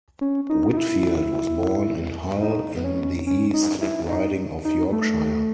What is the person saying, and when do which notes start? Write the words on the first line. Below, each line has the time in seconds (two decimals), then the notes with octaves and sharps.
Whitfield was born in Hull in the East Riding of Yorkshire.
0.21 C#4
0.49 D#4
0.73 D#4
0.77 E4
2.43 D#4
2.76 B3
2.84 C#4
3.27 C#4
3.54 D#4
3.81 E4
4.09 D#4
4.65 D#4
4.92 A3